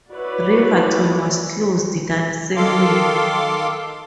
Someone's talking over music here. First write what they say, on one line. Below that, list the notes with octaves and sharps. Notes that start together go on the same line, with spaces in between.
Riverton was closed that same year.
E4 F#4 B4 C#5 D5
D#3 A4 F5 C6 D6